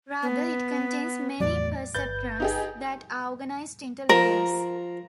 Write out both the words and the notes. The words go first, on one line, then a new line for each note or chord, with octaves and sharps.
Rather, it contains many perceptrons that are organized into layers.
B3
E2 A2 F#3 D5
G1 B4 G6 A6
D#4 G4 G#4
F3 A#4